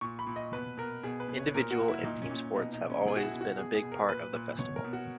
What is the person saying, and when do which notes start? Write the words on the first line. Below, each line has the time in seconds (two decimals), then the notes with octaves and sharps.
Individual and team sports have always been a big part of the festival.
0.01 A#2 C#6
0.19 B5
0.27 A#2
0.36 D#5
0.52 B2 B4
0.77 B2 A#4
1.03 B2 G#4
1.20 B4
1.28 B2
1.37 C#5
1.54 A#2 A#4
1.71 F#4
1.79 A#2
1.88 E4
2.04 A#2 D#4
2.22 C#4
2.30 A#2
2.55 B2 D#4
2.73 D#4
2.82 B2
2.90 C#4
3.06 B2 G#4
3.16 F#4
3.23 E4
3.31 B2
3.41 F#4
3.58 B2 G#4
3.74 G#4
3.83 B2
3.92 A#4
4.09 A#2 B4
4.33 A#2
4.59 B2 C#5
4.76 A#4
4.84 B2
4.93 F#4